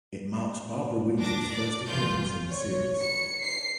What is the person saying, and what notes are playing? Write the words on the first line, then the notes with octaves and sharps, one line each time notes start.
It marks Barbara Windsor's first appearance in the series.
D4 D6 A#6
D5 D6
G1 E3 F4 G6
C#5
C#7
C7